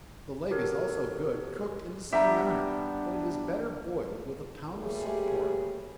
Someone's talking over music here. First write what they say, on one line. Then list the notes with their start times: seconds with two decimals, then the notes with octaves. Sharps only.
The leg is also good, cooked in the same manner; but it is better boiled with a pound of salt pork.
0.51 F#4 G4 A4 A#4 C#5
2.13 G3 B3 D4 G4 E5 A#5
4.74 F#3 G3 A3 A#3 G4 G#4